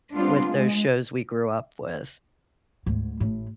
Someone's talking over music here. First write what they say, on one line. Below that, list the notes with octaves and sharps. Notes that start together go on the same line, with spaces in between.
with those shows we grew up with,
G3 B3 C4 D4 F4
G#3
D2 G#2
A1 A2